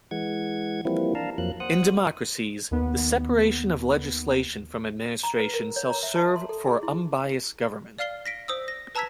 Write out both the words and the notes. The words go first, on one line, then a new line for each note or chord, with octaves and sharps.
In democracies, the separation of legislation from administration shall serve for unbiased government.
E3 G#3 F#5 G#6
E3 F3 G3 A#3 C4 E4
D4 F5 A5 A#5
F2 F3 F#3 A#3 F#6
C5 F#5 D#6 F#6
D#2 B3
A#5
B4
A#4
C#5
A#5
E5
A5
C6
A4
G#4
E4
D5 F5 F6 C7 G7
A#6 B6 D7
C5 D#6 E6
A#6
B4 A5 A#5 E6 G#6 B6